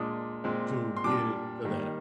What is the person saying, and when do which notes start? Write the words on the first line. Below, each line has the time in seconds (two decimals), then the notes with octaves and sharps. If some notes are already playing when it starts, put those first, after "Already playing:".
to get it to that,
Already playing: A#2 G#3 D4 D#6
0.44 A#2 G#3 C4
0.97 C6
1.04 A#2 G3 D4 D6
1.65 D#3 G3 A#3